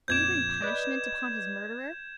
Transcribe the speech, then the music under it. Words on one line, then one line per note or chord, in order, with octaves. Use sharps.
Will you bring punishment upon his murderer?
A#1 F2 D6 G6 G#6 E7
B4 D5 D#5